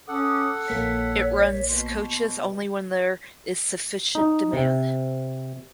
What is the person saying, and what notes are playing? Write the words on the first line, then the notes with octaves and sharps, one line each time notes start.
It runs coaches only when there is sufficient demand.
C#4 A4 F#5 D6 D#6
A#1 A#3 C#5 B6
B2 C6
D#4
C3